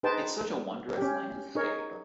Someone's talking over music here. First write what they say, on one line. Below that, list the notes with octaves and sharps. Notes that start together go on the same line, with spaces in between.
It's such a wondrous landscape.
D#4 G#4 B4 C5 G5 A5
C#4 G4
D#4 G#4 A#4 C#5